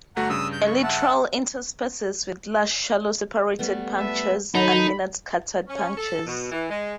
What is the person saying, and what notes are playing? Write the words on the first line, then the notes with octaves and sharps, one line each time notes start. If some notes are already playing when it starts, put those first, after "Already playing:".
Elytral interspaces with large shallow separated punctures and minute scattered punctures.
G1 A3 F#4 F#5 A#5
G2 C#3 D#6 E6
G6
C#6
E5 F#5 A5
G3 A3 B3
A4 B4 E5
D#3 F#3 D#4 A4 B5
C#4
A4
B2
E3
G#3